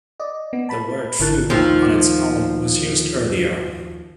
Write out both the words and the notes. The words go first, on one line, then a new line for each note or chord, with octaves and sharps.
The word "foo" on its own was used earlier.
D5 D#5
B3
A5 B5
G#1 D3 E4 A#4 A5 F#6
D#2 F3